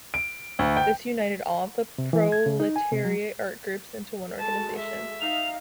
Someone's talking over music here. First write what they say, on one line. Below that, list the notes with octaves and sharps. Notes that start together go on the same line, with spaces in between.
This united all of the proletariat art groups into one organization.
D7
D2
G5
C3
E3
G#6
C#3
D#4
G#5
C3
F#3
G#3 F#4 A4 A5
E5
D#4 F5 F7